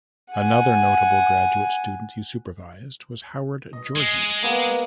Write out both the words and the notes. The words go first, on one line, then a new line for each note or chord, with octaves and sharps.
Another notable graduate student he supervised was Howard Georgi.
F#5 G#5
D#5
G#3
A#3 B3 G#4